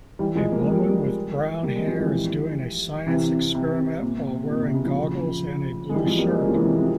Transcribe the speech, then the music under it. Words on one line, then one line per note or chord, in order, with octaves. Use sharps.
A woman with brown hair is doing a science experiment while wearing goggles and a blue shirt.
E3 G3
F3 G#3
A#3
G#3
G3 A#3
G3 A#3
G#3 C4
F3 G#3
E3 G3
C3 E3
C3
C3
A#2
C3
A#2
C3
A#2 C#3
C#3 F3
G#3
E3 G3
F3 G#3
G3 A#3
G#3 C4
A#3 C#4
F3
C3 E3
C3
C3